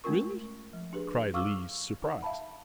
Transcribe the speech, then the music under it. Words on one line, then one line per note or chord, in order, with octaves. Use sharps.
"Really?" cried Lise, surprised.
G#3 A3 C#4 F4 A#4 C#6
F3
D4 G4 G#4 B4
F5 C#6 D6 E6 F6
D#4 F#5
E5 F5 A5 B5